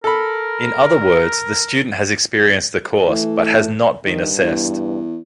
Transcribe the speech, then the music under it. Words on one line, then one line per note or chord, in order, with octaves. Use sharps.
In other words, the student has experienced the course, but has not been assessed.
A4 A#4 B5
E3 A3
G2 D#3
E2